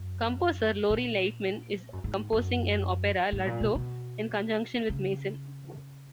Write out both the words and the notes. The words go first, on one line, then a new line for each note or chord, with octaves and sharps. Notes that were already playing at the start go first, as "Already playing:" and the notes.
Composer Lori Laitman is composing an opera "Ludlow," in conjunction with Mason.
Already playing: F#2
A#2
F#2
G#2
F#2
G#2
A#2
B2
B2
C#3